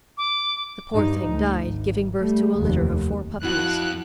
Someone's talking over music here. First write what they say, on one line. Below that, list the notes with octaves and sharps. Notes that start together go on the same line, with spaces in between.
The poor thing died giving birth to a litter of four puppies.
D6
G2 D#4
D2
G#1
G3 A3
F1 D#2
F2 E4 F#4 F#6